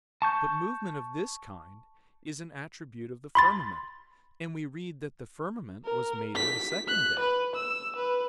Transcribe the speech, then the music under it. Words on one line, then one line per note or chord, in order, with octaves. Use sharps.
But movement of this kind is an attribute of the firmament, and we read that the firmament was made on the second day.
A5 C#6 G6
B5 C6 A6
A#4
B6
F#6
B4
E6
B4